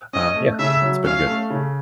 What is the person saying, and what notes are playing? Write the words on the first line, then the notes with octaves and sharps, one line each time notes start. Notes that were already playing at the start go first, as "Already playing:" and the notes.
uh, yeah, yeah, it's been good.
C#4 D#5
A3
C#3 E5
F#3
C#4 F5
A3
C#3